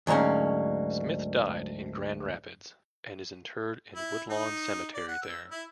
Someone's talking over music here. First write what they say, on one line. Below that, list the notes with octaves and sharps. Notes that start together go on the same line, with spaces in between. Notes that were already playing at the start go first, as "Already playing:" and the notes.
Smith died in Grand Rapids and is interred in Woodlawn Cemetery there.
D2 G#2 F#3 A#3 C#4
E4
D#4
D5
F#5
E6
E4